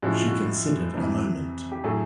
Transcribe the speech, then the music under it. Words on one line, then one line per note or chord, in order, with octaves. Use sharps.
She considered a moment.
A2 F3 G#3 C#4 F#4
F4
F#4
F2 C3 E3
G4
A2 F#3 A3 G#4